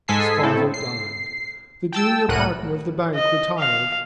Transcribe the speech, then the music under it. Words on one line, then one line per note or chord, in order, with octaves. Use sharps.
His father died; the junior partner of the bank retired.
G#2 G#3 A4 G#5 B6 C7
A2 C4 E4 A4
C7
G5 A5 E6
C2 A2 A#4 F#5 F#6 D#7
D#5
F5